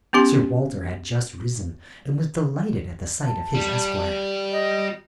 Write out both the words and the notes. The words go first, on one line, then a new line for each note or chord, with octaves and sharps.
Sir Walter had just risen, and was delighted at the sight of his esquire.
B3 C#4 G4 C6
A5
G3
D#5